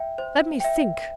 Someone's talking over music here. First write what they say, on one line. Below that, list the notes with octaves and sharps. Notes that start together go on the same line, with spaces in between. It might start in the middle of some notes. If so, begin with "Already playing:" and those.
"Let me think."
Already playing: E5 G5
C5
E5 G5